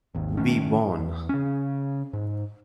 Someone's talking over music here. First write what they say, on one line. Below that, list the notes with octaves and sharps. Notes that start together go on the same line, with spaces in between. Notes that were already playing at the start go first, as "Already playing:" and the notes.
We won!
G#1 D#2
F#1 D#3 A3 C#4
E2
C#3 C#4
G#2